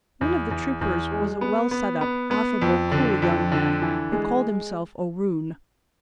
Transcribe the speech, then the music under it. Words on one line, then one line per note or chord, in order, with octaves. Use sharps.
One of the troopers was a well set up, affable, cool young man, who called himself O'Roon.
E2
E2
E2
G#3
B3
B3
B3
B3
F2
D3
F2
D3
E3
G#3